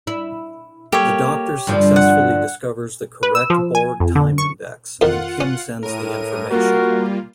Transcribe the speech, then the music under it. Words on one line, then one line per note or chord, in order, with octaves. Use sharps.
The Doctor successfully discovers the correct Borg time index, and Kim sends the information.
E4
A#3 G4 A4 C#5
G2 D3 F3
F#5
B4
E6
F3
G#5
F2
D3
C#6
F2 D#3 F4 F#5
C#4
A2 A#4 D#7
G3 A#3 F4 F#4 A#4